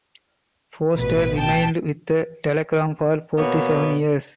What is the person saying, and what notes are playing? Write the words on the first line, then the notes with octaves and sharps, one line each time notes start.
Foster remained with the "Telegram" for forty seven years.
A1 B2 B4
G5 A5
B2 A#3 B3 C#5